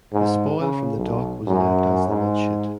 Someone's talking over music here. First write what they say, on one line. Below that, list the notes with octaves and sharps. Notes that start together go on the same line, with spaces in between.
The spoil from the dock was left as the Mudchute.
G#2
C#3
B1
F#2
G#2